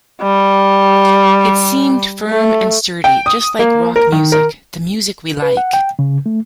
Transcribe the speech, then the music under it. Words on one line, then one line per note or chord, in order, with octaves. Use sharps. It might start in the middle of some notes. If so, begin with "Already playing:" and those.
It seemed firm and sturdy just like rock music, the music we like.
G3
A3
G5
D#6
A#3
A#4
D#3
A#4
B4
F#5
G5
C#3
A3